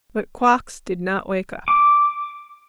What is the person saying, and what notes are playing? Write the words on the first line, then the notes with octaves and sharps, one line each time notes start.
But Quox did not wake up.
D6